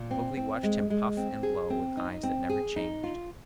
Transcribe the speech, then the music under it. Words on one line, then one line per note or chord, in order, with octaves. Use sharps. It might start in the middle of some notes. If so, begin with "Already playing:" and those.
Mowgli watched him puff and blow with eyes that never changed.
Already playing: A#2
C4
C4
G#3
G#3
C4
G#4
C4
D#4
C4
G#4
D#4
F4